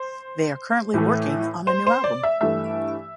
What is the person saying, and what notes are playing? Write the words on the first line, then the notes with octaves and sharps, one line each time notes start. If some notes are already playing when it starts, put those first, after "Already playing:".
They are currently working on a new album.
Already playing: C5
A2 E3 A3
C5
C5
D5
E5
G2 E3 A3 E5